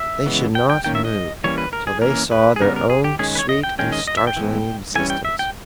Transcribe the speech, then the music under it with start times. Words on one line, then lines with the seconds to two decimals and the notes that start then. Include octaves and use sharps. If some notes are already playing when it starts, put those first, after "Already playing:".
They should not move till they saw their own sweet and startling existence.
Already playing: E5
0.26 C#3 E3 G#3 B3
0.55 G5
0.70 G5
0.84 D#3 A#3 C#4 G5
0.95 E5
1.05 D#5
1.44 E3 G3 A#3 C#4 C#5
1.58 B4
1.73 A#4
1.87 G#4
2.02 E3 A#3 C#4 A#4
2.31 B4
2.56 G#4
2.61 C#3 G3 B3 A#4
2.76 A#4
2.90 G#4
3.04 G4
3.19 D#3 G#3 C#4 G#4
3.35 B4
3.39 C#5
3.49 D#5
3.63 G5
3.79 D#3 G#3 C#4 G5
3.92 D#5
4.07 D#5
4.17 E5
4.27 G5
4.37 E3 G#3 B3
4.95 E3 G3 C#4 G#5
5.10 G5
5.25 E5
5.39 G5